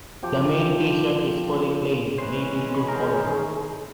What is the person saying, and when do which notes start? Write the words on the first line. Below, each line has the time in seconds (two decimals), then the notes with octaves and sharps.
The main t-shirt is fully plain, navy blue color.
0.23 F3 G4
2.18 E3 G#3 C#4 B4 C5
2.75 G#4 B5 C#6
2.88 D#3 A#4 C5